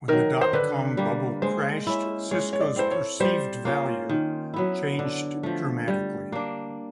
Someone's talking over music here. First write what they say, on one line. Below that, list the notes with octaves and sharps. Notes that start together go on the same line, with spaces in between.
When the dot-com bubble crashed, Cisco's perceived value changed dramatically.
D#3 F#3 A#4
C5
D3 B4
G3 A#3
G#3 C5
C#4 E4
G#3 C#5
C#5
D5
C4 E4 A4 C5
C#5
G3 C5
A#3 C#4 F4
D#3
F#3 B3 E4
D3
F3 A3
G3
A#3 D4